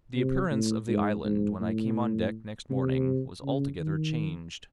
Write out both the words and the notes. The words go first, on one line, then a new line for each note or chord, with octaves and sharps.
THE appearance of the island when I came on deck next morning was altogether changed.
C3
A2
G#2
G#2
A2
C3
C#3
D#3